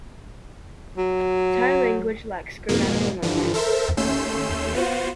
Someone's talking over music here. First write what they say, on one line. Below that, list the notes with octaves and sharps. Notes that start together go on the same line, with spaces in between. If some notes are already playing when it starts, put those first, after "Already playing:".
The Thai language lacks grammatical number.
F#3
F2 G#2 B2 G#3 A#3
G2 D3 E3 F3
A4 A#4 C5 E5
D#2 A3 C#4 C6 E6 G6
B3 F4 F#4 C5